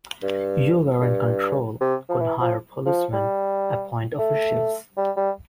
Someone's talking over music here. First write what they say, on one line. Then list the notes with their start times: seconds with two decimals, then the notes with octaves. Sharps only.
You were in control, could hire policeman, appoint officials.
0.23 G2
1.02 G2
1.81 C3
2.09 F3
2.20 E3
2.40 F3
2.86 F3
3.13 G3
4.19 A3
4.97 G3
5.17 G3